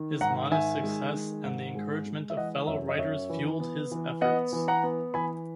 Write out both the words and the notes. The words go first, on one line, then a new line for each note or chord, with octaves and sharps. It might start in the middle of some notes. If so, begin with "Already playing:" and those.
His modest success and the encouragement of fellow writers fueled his efforts.
Already playing: D#3
G#2 F#5 A#5
D#3 E5 G#5
G#3
D#3
G#2
G#3
G#3
E5
E3 D#5 F#5
F#2 C#5 E5
D#5
F#2 C#5 E5
E3
B3
E3
B3 D#5 F#5
E3
F#5 A#5
B3
E3 G#5 B5